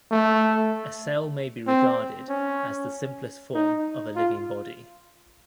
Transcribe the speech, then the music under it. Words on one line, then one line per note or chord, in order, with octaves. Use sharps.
A cell may be regarded as the simplest form of a living body.
A3
C4
C#4
D#4
F4